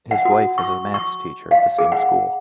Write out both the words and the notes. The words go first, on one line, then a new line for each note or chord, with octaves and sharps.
His wife is a maths teacher at the same school.
F#5
F#4
C#6
C#6
F5
G#4
F#5